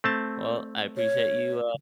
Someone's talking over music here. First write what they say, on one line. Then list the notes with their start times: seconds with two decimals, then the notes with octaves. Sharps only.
Well, I appreciate you, uh,
0.04 A3 C4 A5
0.97 C#5